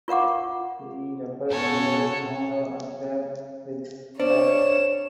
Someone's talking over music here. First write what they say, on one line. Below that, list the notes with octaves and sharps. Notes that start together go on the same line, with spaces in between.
He represented Nora at the Riksdag.
F4 A#4 F5 F#5 D6
B2 F#4 A4 C#5 G#5
D4 C5 C#5 E7